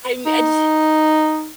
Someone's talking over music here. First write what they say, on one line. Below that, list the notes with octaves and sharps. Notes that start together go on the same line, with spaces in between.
I mean, I ju
D#4